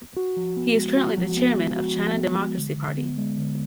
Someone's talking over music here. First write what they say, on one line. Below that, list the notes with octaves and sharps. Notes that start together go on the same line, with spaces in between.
He is currently the chairman of China Democracy Party.
F#4
F3
B3
G#3
F#4
F3
B3
G#3
F#4
F3
B3
G#3
D3
D3
B3
G#3
D3